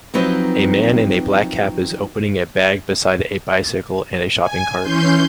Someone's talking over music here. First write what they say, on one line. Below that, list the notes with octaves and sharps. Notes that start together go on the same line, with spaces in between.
A man in a black cap is opening a bag beside a bicycle and a shopping cart.
F3 F#3 C4 D#4 B4
G#5
E3 C#4 C6 G6